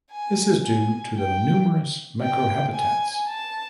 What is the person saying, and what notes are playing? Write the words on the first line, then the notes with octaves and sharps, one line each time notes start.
This is due to the numerous microhabitats.
G#5
G#5
G5
G5
G#5
A5